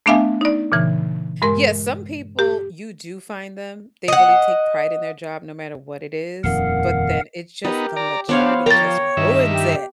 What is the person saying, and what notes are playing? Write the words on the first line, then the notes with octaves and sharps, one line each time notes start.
Yeah, some people, you do find them, they really take pride in their job no matter what it is, but then it's just the majority just ruins it,
A3 B3 D4 E5 F5 G#5
D#4 D5
A#2 C#3 E3
G2 G#3 A#4 C6
G4
D#5 F#5
D#1 F2 D#3 A#4 F5 F#5
B3 D#4 G4 A#4
D5 A#5
B3 D4 C5 C#5 F5
F3 A#4 C#5 G5 A#5 D6 A6
G2 D#3 E5
G4